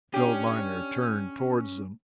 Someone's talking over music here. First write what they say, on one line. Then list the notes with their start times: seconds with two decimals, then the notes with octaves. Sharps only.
The old miner turned towards them.
0.14 C#4 D4 G4